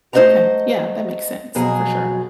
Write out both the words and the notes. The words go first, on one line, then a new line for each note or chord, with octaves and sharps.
Okay. Yeah, that makes sense, for sure.
A3 C5 C#5 D#5 F#5 A#5
F2 B2 F#3 G#4